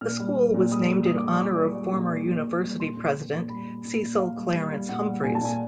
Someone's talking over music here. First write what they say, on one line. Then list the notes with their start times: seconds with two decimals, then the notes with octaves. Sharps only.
The school was named in honor of former University president Cecil Clarence Humphreys.
0.01 A#2 F6
0.19 G3
0.36 G3
0.54 A#2
0.71 G3 D#6
0.89 G3
1.06 G3 D#6
1.17 D6
1.23 G3
1.28 C#6
1.39 G3 D6
1.58 G3
1.75 G3
1.93 A#2
2.10 G3
2.28 A#2
2.45 A#2
2.63 G3
2.80 A#2 C6
2.97 A#2
3.15 A#2
3.33 A#2
3.49 G3 B5
3.67 G3
3.85 A#2
4.02 A#2
4.19 A#2 F5
4.36 G3
4.53 G3
4.72 G3
4.89 A#2 F#5
5.06 G3
5.24 A#2 G#5
5.35 A5
5.41 A#2 G#5